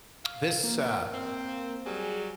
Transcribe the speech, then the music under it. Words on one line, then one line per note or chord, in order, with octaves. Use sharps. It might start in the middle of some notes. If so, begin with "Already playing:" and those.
This, uh
F5
A#3
C4
F#3 G3 G#4